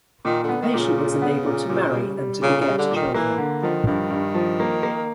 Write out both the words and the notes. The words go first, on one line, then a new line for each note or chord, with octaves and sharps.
The patient was enabled to marry and to beget children.
A#2 D#3
D3
B3
D#3
A#2
C#3
A#2
B3
A#2
A#2
G3
G3
A#2 C#3
C#3
G3
D3
A#2 D#3
E3 A#3
D3
D#3 F3
G2 D#3
G2
F3
A#3
A#3